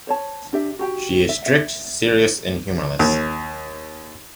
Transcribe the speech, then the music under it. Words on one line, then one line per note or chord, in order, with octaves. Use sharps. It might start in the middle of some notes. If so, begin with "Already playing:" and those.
She is strict, serious, and humorless.
C5 C#5 A5
D4 G4 E5
F#4 G4 G5
E5
E5
D#2